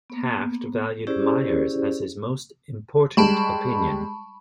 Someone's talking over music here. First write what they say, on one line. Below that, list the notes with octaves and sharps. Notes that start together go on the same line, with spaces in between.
Taft valued "Myers" as his most important opinion.
A#3 B3
C#4 E4 G4 G#4 C5 D5
G3 G#3 A5 B5 C#6